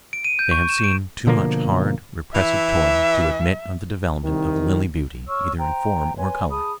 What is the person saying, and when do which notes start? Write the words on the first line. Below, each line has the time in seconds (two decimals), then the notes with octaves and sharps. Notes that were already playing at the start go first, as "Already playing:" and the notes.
They have seen too much hard, repressive toil to admit of the development of lily beauty either in form or color.
0.13 D7
0.24 D#7
0.39 G6
0.51 C#6
0.69 E7
0.84 D7
1.27 B2 D3 F3 A#3
2.35 E3 E5
4.24 C2 D#3
5.28 C#5 C#6 E6 F6
5.58 C5 G5 A#5
6.16 B4 C#5 G#5 C6
6.50 G#4 A5 B5 D#6